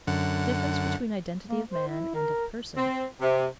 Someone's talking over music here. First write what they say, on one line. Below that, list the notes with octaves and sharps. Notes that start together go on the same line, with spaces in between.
Difference between Identity of Man and of Person.
F#2 D3 F#5
A#3
C5
E4
A#4
C4
C3